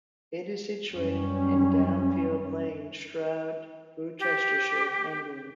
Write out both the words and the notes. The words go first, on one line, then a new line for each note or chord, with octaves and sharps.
It is situated in Downfield Lane, Stroud, Gloucestershire, England.
F#2 G3 C#4
G4